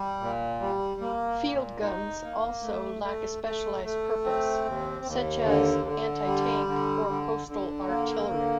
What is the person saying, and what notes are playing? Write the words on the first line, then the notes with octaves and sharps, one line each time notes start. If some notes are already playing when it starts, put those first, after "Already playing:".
Field guns also lack a specialized purpose, such as anti-tank or coastal artillery.
Already playing: G3
A#2
G3
A#3
A#2
D#4
A#3
A3
A3
A3
A3
C4
D#2
D#2
D3
D3
G3
D3
D3
D3
A#3
D3